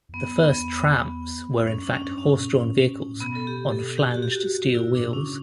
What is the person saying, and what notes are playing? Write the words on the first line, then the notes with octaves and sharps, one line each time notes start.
The first "trams" were in fact horse-drawn vehicles on flanged steel wheels.
E2
F#2 B3
E2 B3
F#2 C#4
D4
C#4
G2
C#4
B2
A2
B2
A2
A2
B2 B3
A4
G4
A4
G4
F#4
G4
F#4
A2 E4
D4
B2
C#4
C#3